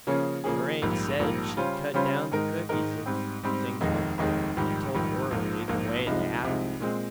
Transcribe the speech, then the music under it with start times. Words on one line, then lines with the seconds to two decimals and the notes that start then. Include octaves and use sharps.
Lorraine said she'd cut down the cookies if things weren't told orderly the way they happened.
0.07 C#3 F3 A#3 C#4 G#4
0.44 C#3 F3 A#3 C#4 G#4
0.82 A#1 G#2 G3 A#3
1.19 A#1 G#2 G3 A#3
1.57 C#3 G3 C#4 F4 C5
1.94 C#3 G3 C#4 F4 C5
2.31 G#2 D#3 G#3 D#4 A#4
2.69 G#2 D#3 G#3 D#4 A#4
3.06 G#2 G3 C4
3.43 G#2 G3 C4
3.81 F1 D#2 D#3 G#3 D#4
4.18 F1 D#2 D#3 G#3 D#4
4.56 A#1 G#2 D#3 G3
4.94 A#1 G#2 D#3 G3
5.31 A#1 G#2 F3 A#3
5.68 A#1 G#2 F3 A#3
6.06 C2 C3 F3 G#3 D#4
6.43 C2 C3 F3 G#3 D#4
6.80 A#2 G#3 C4